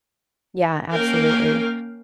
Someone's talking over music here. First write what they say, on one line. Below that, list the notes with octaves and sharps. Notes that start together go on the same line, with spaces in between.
Yeah, absolutely.
A#3 C#4 A#4 F5 G5